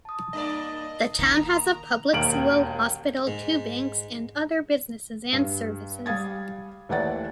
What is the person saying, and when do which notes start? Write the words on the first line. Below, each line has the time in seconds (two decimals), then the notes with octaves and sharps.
The town has a public school, hospital, two banks, and other businesses and services.
0.05 A5 D#6
0.33 G2 A#3 D5 D#5
1.19 D#3 A#3 D#4
1.34 A#5
2.13 E1 D#2 D#3 F6 D7 F#7
3.27 G#2
5.33 G2
6.06 G3 F5 D#6 G#6 A6
6.89 D#2 E3 A3 D5 F#5 A6